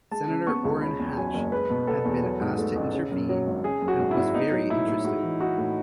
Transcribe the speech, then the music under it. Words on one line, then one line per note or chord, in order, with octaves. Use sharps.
Senator Orrin Hatch had been asked to intervene and was "very interested".
G#3 A5
C#3
B3 C#6
C#2
C#3 B5
E2
F#3 G#5
F#1
G#3 B4
B2
B3 A4
E2
F#3
G#2
A3
A1
C#3
F#2
F#3
G#1
C#3 G#4
F#2
F#4
G#1
E4
G#1
B3 D#4
F#3
A2 E4
A2
G#3 F#4
E3
D#4 F#4
A2